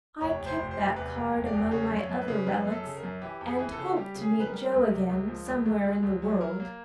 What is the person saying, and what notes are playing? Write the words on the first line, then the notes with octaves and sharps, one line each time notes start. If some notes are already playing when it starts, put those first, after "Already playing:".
I kept that card among my other relics, and hoped to meet Joe again somewhere in the world.
F1 C#5
F1
C5
F1
C5
C3
E2 B4
F1
F1
D5
E2
C#3 C#5
F#2
C#5
F#2
B4
C#3
F#2 B4
F#2
A4
C#3
A#4
F#2
E3 G4
F2
G#4
E3
A4
C#3
G3 G4
C#3
G#4
C#3
B4
A#4
G3
C#2
C3
C#2
F3
C#2
C#2
G#3
C#2
F#3
F#3 A#4
A#3